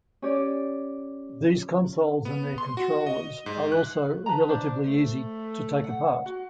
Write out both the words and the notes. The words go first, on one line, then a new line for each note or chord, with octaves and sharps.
These consoles and their controllers are also relatively easy to take apart.
C#4 G4 C#5 D5
B3
C6
F#4
D#5
G#2
F#6
B4 A5 A#5
D4 C5
A3
F#5
F#4